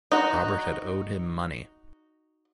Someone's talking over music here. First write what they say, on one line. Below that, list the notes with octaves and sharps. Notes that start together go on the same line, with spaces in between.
Robert had owed him money.
D#4 F#4